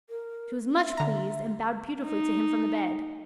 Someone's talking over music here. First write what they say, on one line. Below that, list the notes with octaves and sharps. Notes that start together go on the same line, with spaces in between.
She was much pleased, and bowed beautifully to him from the bed.
A#4
E5
D3 A#5
D#4